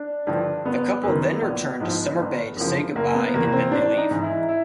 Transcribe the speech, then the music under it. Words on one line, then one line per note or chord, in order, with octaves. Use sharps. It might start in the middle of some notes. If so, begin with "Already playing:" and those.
The couple then return to Summer Bay to say goodbye and then they leave.
Already playing: D4
G2 D3 F3
G1 B3
F#2 D#3
A#1
G#2 F3
G1
F#2 C#3 F3
F#1 A#3
B3
E2 C3 F3 A#3
C4
A1 D4
D#4
G#2 E3
E4
E4